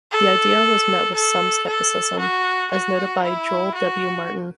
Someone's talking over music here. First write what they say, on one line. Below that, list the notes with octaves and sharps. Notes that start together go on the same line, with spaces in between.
This idea has met with some skepticism, as noted by Joel W. Martin.
A4
A4
A4
F#4
F#4
E4
F#4